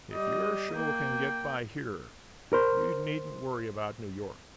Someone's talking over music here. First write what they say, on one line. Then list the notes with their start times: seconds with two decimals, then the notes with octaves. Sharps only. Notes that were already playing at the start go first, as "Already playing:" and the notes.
If your show can get by here you needn't worry about New York.
0.13 G3 D#5
0.72 A#3 G5
2.53 A#4 C5